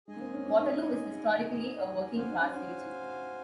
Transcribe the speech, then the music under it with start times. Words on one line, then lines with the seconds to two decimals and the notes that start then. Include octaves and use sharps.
Waterloo is historically a working class region.
0.07 G#3 G#4 D#5 G#5
0.16 A#3
0.21 C4
0.34 C#4
0.46 C#4
0.59 D#4
0.71 C#4
0.81 D#4
2.15 C#4 F#4 C5 F5 G#5
2.29 D#4
2.41 C#4
2.55 C#4